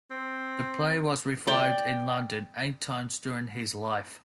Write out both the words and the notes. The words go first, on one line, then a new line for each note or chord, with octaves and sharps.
The play was revived in London eight times during his life.
C4
D5 G5